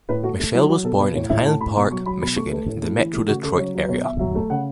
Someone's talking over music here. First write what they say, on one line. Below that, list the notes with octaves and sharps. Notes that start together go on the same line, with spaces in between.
Mitchell was born in Highland Park, Michigan, in the Metro Detroit area.
A2 B4
A3 F#4
A3
F#3 E4
F#3 F#4
B2 A4
B2 B4
A2 C#5
A2 E5
A3 A5
A2 B5
B2 C#6
F#3 C#6
F#3 B5
B2 B5
A3 C#6
A3 B4
A2 A4
A3 E4
E3
A3
C#3 F#4
C#3 A4
F#3 C#5
F#3
B4
B2 C#5
B2 E5
F#3 E5
A3
C#3 F#5